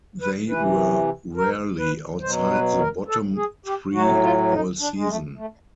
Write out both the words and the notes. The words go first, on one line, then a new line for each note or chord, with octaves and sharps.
They were rarely outside the bottom three all season.
B4
C3 E3 B4
A#4
B4
B2 F#3 C5
B4
A#4
A4
G#4
G4
A2 F#3 F#4
F4
D#4
D4
G#3
A3
A3